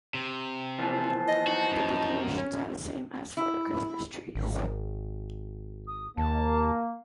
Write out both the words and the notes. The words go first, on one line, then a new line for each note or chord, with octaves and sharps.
The decorations are the same as for Christmas trees.
C3
D#2 E3 F3 B4 C5 A5
D#5
D#4 F#4
F#2
C#4
E4
G#1
D#6
D#2 A#3 A5